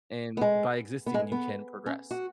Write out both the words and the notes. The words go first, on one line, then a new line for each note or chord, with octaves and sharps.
and by existing, you can progress.
B3
G#3
B3
G#3
B3
C#4
F#4